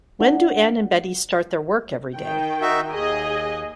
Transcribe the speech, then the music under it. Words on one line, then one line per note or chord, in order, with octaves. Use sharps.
When do Anne and Betty start their work every day?
D4 F#5
D#3 G5
D#4 F#4 E5
D#2 G#4 D#5